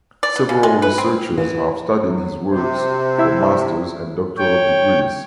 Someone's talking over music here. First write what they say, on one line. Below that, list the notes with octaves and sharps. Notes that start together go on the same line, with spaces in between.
Several researchers have studied his works for masters and doctoral degrees.
D5
B3
C#3
G#3
B4
C4
E3
F#3
C3 C5
E4 E5 E6
C#5 G5